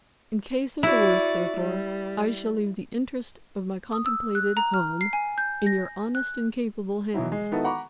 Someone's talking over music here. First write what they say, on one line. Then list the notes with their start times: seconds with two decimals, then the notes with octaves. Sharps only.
In case of the worst, therefore, I shall leave the interests of my contemplated Home in your honest and capable hands.
0.83 E4 F#4 D5
1.57 G3
3.92 D#6
4.06 E6
4.35 F#6
4.57 A#5
4.74 F6
5.01 C7
5.13 G#5
5.38 G6
5.66 A#6
6.15 F#6
7.14 B2 E3 F#3 E4
7.32 G#3
7.51 D#3 B3 D#4 E4 F#4 A4
7.65 F#5 A#5 B5 C#6 D6